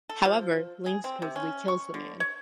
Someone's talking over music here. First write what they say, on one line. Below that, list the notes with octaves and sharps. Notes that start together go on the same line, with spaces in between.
However, Ling supposedly kills the man.
A4
F3
G#4
C4
C3
C#4
C#6
D3
C#5